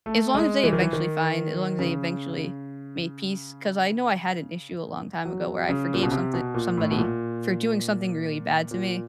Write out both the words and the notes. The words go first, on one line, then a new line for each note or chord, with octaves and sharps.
as long as they eventually find as long as they eventually made peace 'cause I know I had an issue a long time ago, where I forgave something somebody for doing something really bad to me,
A3
G#3
E3
D#3
E3
D#3
C#3
F#3
C#3
A#2
B2
C3
B2
A#2
A2
B2
A#2
A#2